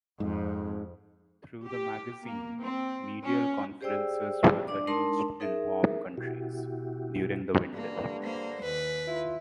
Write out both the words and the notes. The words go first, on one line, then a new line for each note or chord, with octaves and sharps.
Through the magazine, medial conferences were arranged in warm countries, during the winter.
F2 G#2
G4
A#3
C4
C#4
G4 G#4 C5 D5 G5 E6
D4 D5 D6
G#3 D4 D#4 A#4 A5 C6
D#4 G#4 A#4 E5
B2 E4 F#4 G4
G2 D3 A#3
A#3 C5
D#2 B4
E4 F4